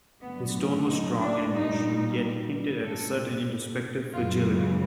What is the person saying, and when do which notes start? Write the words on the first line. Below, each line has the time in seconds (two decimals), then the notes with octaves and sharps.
His tone was strong and emotional, yet hinted at a certain introspective fragility.
0.22 G2 D3 F#3 A3 B3
0.88 D#4
1.20 D4
1.52 A#2 G3 D#4
2.82 A#2 G3 A4
4.12 F#2 C#3 E3 G#3 F4